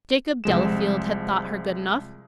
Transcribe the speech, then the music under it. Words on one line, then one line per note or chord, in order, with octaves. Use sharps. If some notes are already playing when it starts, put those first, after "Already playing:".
Jacob Delafield had thought her good enough!
C2 F3 G#3 E7